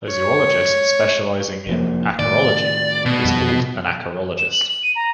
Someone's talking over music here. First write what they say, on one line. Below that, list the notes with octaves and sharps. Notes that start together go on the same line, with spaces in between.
A zoologist specializing in acarology is called an acarologist.
C#5
F1 F3 A#3
A2 D#3 D5
B2
F2 D#3 G3
E7
F#7
F#7
D#7
A#5